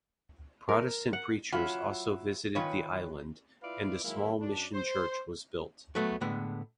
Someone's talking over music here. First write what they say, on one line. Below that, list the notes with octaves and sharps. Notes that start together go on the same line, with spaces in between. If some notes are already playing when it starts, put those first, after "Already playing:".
Protestant preachers also visited the island, and a small mission church was built.
A#4
F#5
F#3 C#4 E4 F4 F#5
D#3 C#4 F4 B4 C#5
E4 F4 B4 D5 E5 F5
D#3 F#3 G#3 A#3 E4
F#2 D4
C5
F#3 A3 B3
A2 D3 G#3 B3